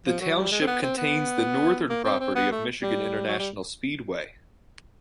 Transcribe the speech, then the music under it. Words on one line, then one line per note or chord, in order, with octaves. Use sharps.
The township contains the northern property of Michigan International Speedway.
F3
F#3
G3
G#3
C4
B3
C4
B3
A#3
C4
C4
B3
A3
G3
F#3
G3